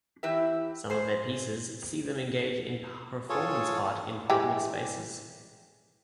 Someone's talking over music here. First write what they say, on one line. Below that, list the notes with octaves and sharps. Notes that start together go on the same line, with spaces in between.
Some of their pieces see them engage in performance art in public spaces.
E2 E3 E4 G4 B4 E5
G#4 C5
F4 G#4 A4 C#5
E3 G#3 G4